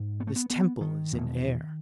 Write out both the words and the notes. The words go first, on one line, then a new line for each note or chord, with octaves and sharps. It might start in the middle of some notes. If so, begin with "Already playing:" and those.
This temple is in air.
Already playing: G#2
B3
A3
B3
B3
D#3
E2 B2